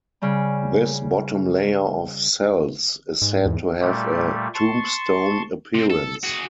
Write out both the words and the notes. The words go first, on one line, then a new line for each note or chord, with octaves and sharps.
This bottom layer of cells is said to have a "tombstone appearance".
C#3 G3
G#2
E2
A#2 G3 A3
A5 C6 C#6
C3 C4
A4
F#4 G#4